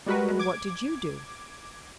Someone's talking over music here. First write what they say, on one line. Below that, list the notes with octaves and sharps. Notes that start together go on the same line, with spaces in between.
'And what did you do?'
G3 G#3 F#4 A#4 B4
D6 G#6